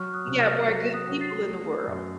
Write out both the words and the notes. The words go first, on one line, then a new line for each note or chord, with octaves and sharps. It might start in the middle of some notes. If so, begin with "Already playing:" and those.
We got more good people in the world.
Already playing: F#3 C#6 F6 F#6
D#6 F#6
C3 F#6
F6 A6
C7
F#3 F#6 A#6
D#6 F#6
F#3
A6 C7
A3
F#2